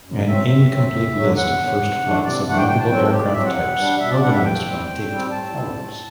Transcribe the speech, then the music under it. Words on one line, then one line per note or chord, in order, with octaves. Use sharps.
An incomplete list of first flights of notable aircraft types, organized by date, follows.
F#2
F#3 C4 E5
F#2
F#3 C4
E2
D3 F#3
E2 F#5
D3 F#3
C3
E3 A3 D4
C3 D5
E3 A3 D4 F#5
G5
A2 G5
A5
F#3 C4 G5
A4
A2 G4
D5
F#3 C4 E5
F#5
B2
G3 D4
B2 E5
D5
G3 D4 F#5
E5
A2 G5
G3 C4
A2
G3 C4
A2 A5
G3 C4
A2